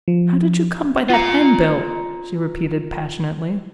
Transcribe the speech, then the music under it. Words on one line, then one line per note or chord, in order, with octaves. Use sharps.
"How did you come by that handbill?" she repeated, passionately.
F3
F4 A#5